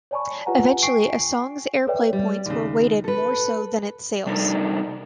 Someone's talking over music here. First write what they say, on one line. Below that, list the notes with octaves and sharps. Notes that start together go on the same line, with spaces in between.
Eventually, a song's airplay points were weighted more so than its sales.
C#5 D5 G#5 A5 B5 C#6
F4 G4 B4 F#5 G#5 A#5
G5 G#5 C#6 C7 D7
A4 B4 C#5 D5 E5 G5
G3
D#2 C#3
A4 B4
C3 G3 D4 D#4 A4 A#4